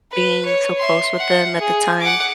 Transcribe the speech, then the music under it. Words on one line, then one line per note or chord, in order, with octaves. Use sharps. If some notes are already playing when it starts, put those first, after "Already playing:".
being so close with them at the time,
B4
C#5
E5 C6
F#5
G#4
F#5 D6